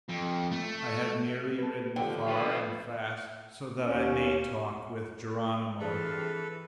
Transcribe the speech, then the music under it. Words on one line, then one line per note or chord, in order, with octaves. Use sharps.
"I have merely ridden far and fast so that I may talk with Geronimo."
F2
A3
A4 B4
D3 D#3 F3 G4 G5
F4 B4
D#2 C#4
C3 E3 D4 F4 G#4 A4 B4